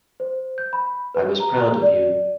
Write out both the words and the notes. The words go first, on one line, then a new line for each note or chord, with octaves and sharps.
I was proud of you.
C5
G6
B5
B4
A#5
D5